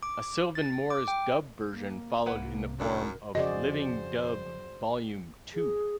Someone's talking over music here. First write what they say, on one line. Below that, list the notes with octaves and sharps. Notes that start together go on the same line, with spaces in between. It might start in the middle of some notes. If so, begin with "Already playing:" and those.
A Sylvan Morris dub version followed in the form of "Living Dub Volume Two".
D6
A6
D6
G5
A#3
C2 G#2 E4 B4 F#5
F#2 D4 A4 A#4
F2 C#3 F#4 G#4 C5 D5 D#5
G#4